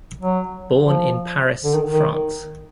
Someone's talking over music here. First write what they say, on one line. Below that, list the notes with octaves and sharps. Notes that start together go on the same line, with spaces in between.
Born in Paris, France.
F#3
F3
D3
D#3
D#3